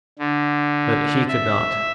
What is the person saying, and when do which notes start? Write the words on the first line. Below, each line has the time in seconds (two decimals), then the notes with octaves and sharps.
But he could not.
0.19 D3
1.28 E5